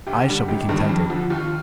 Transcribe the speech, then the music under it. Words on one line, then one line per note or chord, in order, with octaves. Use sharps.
I shall be contented.
D2 G4
D3 G3
G#1 G4
G2 D#3 G3
F2
D3 F3
D#2 F4